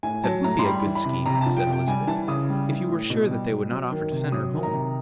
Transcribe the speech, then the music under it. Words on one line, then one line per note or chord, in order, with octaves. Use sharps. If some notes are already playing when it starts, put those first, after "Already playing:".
"That would be a good scheme," said Elizabeth, "if you were sure that they would not offer to send her home."
A2 G#5
F#3 A5
A2 A#5
C6
G3 B5
E3
B5
C3
C3 A#5
A5
F3
G5
C3
G5
G3 G#5
E3 A5
C#3 D#6
G3
E3
A2
B2
G3
B2
F#3
D#3
C3
F#3 D#6
D#3
A#5
C3